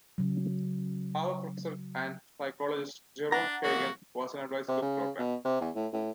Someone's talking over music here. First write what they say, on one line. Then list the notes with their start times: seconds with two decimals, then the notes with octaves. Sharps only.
Harvard professor and psychologist Jerome Kagan was an advisor to the program.
0.18 C#3 F#3
3.32 D4 F#5 A#5
3.63 E3 G#3 A#3 F#4
4.68 C3
4.82 C#3
5.19 B2
5.45 C3
5.61 E2
5.75 A2
5.93 A2